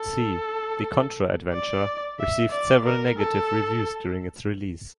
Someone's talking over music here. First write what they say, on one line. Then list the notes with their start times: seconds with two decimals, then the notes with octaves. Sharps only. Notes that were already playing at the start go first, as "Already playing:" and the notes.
"C: The Contra Adventure" received several negative reviews during its release.
Already playing: A4
1.54 D5
2.20 E5
2.51 D5
2.85 A#4
3.18 A4